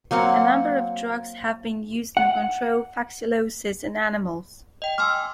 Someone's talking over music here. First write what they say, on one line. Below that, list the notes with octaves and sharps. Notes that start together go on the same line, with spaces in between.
A number of drugs have been used in control fasciolosis in animals.
F#3 A#3 C4 F#5
F#5
D#5 G5
G#5 C6 D6 E6 F6